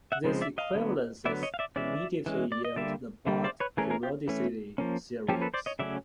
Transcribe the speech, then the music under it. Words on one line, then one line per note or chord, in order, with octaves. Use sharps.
These equivalences immediately yield the Bott periodicity theorems.
E5 F#5
C#3 F3 G#3 C4
D5 E5
D#5 F5
D3 F#3 B3
D3 F#3 B3 D5 E5
C#5 D#5
F5
D5 E5
E3 G#3 C#4 D5 E5
E3 G#3 C#4
D5
D#5
D3 G3 A#3 D5 E5
D3 G3 A#3
C5 D5
B4 C#5
E3 A3 C#4 G#4 A#4
G#4 A#4
F4 G4
E3 A3 C#4
F3 A#3 C#4
F3 A#3 C#4 G4 A4
A4 B4
C5 D5
C#5 D#5
C#3 F#3 A3 C#4 D5 E5